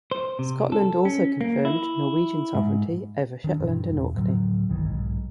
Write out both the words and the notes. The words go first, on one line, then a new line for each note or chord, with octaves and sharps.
Scotland also confirmed Norwegian sovereignty over Shetland and Orkney.
C5
C3
A4
C#4
A#3
E4
G#2
D#3 D4
G2 B2
E1
A2 D3 F3 F#3
G1 C2 D#3 E3
B1 G#2